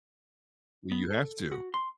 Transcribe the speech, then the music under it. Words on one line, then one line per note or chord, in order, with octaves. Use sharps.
Well, you have to.
B3
A4
F#4
C6